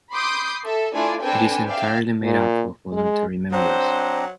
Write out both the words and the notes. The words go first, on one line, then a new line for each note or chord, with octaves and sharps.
It is entirely made up of voluntary members.
B5 C6 D6 D#6 G6 C7
A4 E5
A3 D4 E4 F4 D5 G#5
C4 D4 A4 B4 G5 G#5
D5 E5 F5 G5
A#2
G#3
F#3 C4 D4 C5 A#5